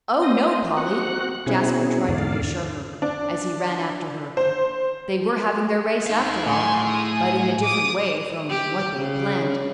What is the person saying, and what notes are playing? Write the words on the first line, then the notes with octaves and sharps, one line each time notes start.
"Oh, no, Polly," Jasper tried to reassure her, as he ran after her. They were having their race, after all, but in a different way from what they had planned.
C5 D#5 D#6
C4 F#4 F#5 F#6
B2 C4 C#4 E4 G#4
E2 G#2 D3 D5 F5
D4
C5
D#4 F5
A2 G#5 C6
G#4 D#6
D6 D#6
G4
C#3